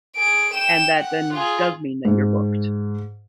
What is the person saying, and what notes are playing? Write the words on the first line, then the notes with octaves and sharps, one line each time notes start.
and that, then, does mean that you're booked.
G#4 D7
G5 E7
F#5
F4 G#4
G#2